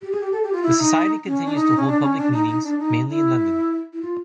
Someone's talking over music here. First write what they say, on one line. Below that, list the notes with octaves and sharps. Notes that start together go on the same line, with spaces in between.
The society continues to hold public meetings, mainly in London.
G4
G#4
G4
A4
G4
F4
E4
D#4
C#4
D4
D#4
C#4
D4
C#4
D4
D#4
D#4
D4
D#4
E4
E4
F4